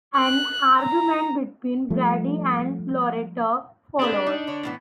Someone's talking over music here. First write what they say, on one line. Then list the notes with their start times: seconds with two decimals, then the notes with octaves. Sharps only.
An argument between Brady and Loretta follows.
0.18 F#6
0.76 A#5
1.90 F3 G3 A3
3.99 C4 D4 G#4 B4
4.27 D#4
4.47 D3 C#5
4.63 A2 E3 B3